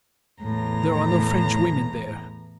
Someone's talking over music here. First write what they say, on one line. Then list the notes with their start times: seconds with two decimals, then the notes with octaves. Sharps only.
There are no French women there.
0.41 E2 A2 A#5